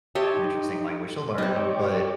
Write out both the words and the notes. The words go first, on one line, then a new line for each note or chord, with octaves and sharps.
an interesting language to learn, but,
G4 C#5 D#5 E5 A5 C6
D#4
C4 D#4 G4 B4 D5
G4 C#5 D5